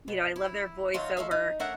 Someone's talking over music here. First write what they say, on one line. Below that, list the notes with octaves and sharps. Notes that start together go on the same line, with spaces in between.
you know, "I love their voiceover,"
B2
E4
F#2 D#3 F#3 F4 F#4
G#3 A3 E5 F5
D#4
A3 C#4 D4 A#4 E5 F#5